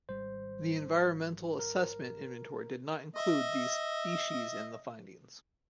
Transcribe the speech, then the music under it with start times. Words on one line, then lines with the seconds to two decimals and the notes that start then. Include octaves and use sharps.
The Environmental Assessment inventory did not include these species in the findings.
0.09 G#1 G3 C5
1.59 A#4
3.16 D#5 E5